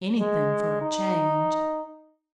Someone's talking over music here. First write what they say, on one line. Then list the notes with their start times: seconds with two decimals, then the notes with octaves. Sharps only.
Anything for a change.
0.19 G#3
0.81 D#4